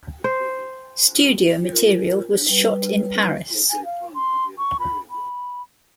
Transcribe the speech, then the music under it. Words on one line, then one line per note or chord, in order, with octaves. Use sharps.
Studio material was shot in Paris.
C5
F4 A#4
G3 B4
G#5
F5
C6
C#6
B5
B5